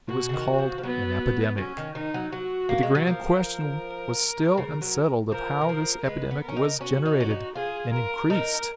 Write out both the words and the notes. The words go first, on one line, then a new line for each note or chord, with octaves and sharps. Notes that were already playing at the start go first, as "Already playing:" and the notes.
It was called an epidemic. But the grand question was still unsettled of how this epidemic was generated and increased.
B2 F#4
C#3
D#3
F3
F3
F#3 B3
F#3 C#4
D#3
D#3 D#4
F#3
F#3 F#4
A#3
G#3
F#3
F3 A#4
C#3
F#3
F3 A#4
D#3
F3
G#3 B4
B3
A#4
C#4
D#4
C#4 F#4
D#4
C#4
D#4
F4 G#4
A#4
D#4 A#4